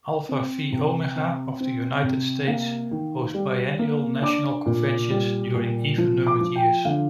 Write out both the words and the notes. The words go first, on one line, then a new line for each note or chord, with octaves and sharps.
Alpha Phi Omega of the United States hosts biennial national conventions during even-numbered years.
C4
C3
C4
C4
C3
A#3 F5
D#3
G3
A#3
D4 D6
A#2
G3
A#2
F3
D6
F3
G5
D3 F5